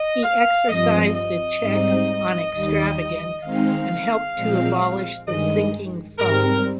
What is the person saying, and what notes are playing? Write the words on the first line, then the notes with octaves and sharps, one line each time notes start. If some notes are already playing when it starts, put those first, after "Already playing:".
He exercised a check on extravagance, and helped to abolish the sinking fund.
Already playing: D#5
F5
G2 F3 C4 D#5
D#5
G#2 G3 C4 D#4
D#2 D#3 G3
D#3 G#3 C4 D#4 F5
A#2 F3 G#3 C4
G2 D#3 G#3 D#5
G#2 G3 C4 A#4